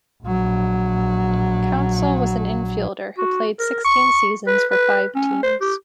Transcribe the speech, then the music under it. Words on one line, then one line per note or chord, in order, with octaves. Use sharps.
Counsell was an infielder who played sixteen seasons for five teams.
A#1 F#3
F#4
A#4
C#6
B4
B4
C#4
C5
G4